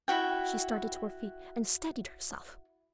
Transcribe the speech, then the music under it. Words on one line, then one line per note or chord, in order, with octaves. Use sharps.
She started to her feet, and steadied herself!
E4 F#4 G5